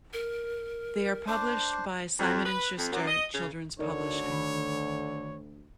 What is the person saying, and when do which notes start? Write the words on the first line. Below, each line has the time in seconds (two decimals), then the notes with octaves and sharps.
They are published by Simon and Schuster Children's Publishing.
0.13 A#4
1.27 D4 C5 D6
2.19 F2
2.45 B4
2.77 F2
2.92 F#2
3.07 D#5
3.34 C#3
3.79 D2 D3 D#4 A#4 C#5 D5
4.30 D#3 B5